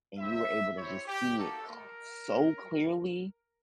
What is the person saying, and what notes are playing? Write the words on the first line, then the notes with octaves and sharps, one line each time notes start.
and you were able to just see it cl so clearly.
C4 E4 G4 E5
C4 E4 G4 C#5
G4
A#3 D#4 F#4 A4
A#4